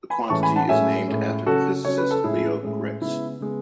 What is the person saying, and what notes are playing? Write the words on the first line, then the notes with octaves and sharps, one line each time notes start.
The quantity is named after the physicist Leo Graetz.
G#5 B5
A2 E3 G#3 C#4 A5 C#6
G#5 B5
F#5 A5
A2 G#3 C#4 E5 G#5
A2 G#3 C#4
C#3 F#3 C#4 F#4 A4
C#3 F#3 C#4 C#5
B4
A4
A2 G#3 C#4 E4 G#4
A2 G#3 C#4
C#3 G#3 B3 E4
C#3 G#3 B3